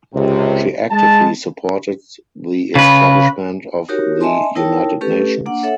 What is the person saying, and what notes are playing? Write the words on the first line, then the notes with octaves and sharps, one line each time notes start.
She actively supported the establishment of the United Nations.
C#2 C3
G#3 A5
C#3 B4
D#4 F#4 G4 A#4 C#5
D#5 E5 G#5 A5 C6
D#4 E4 A#4 C#5 G5 A5
A3 C#4 G4 A4 B4
A#3 D4 F#5
A4 C#5 E5 F#5